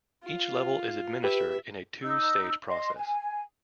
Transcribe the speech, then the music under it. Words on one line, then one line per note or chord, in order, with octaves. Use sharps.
Each level is administered in a two-stage process.
F4
G4 B4 E5
D#4 E6
D#5 C6
G#5